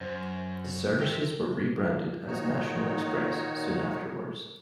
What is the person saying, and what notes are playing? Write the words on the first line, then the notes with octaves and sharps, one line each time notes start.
The services were rebranded as National Express soon afterwards.
F#2 C5
G4 E5
A#2 D#3 D#4 F#4 C#5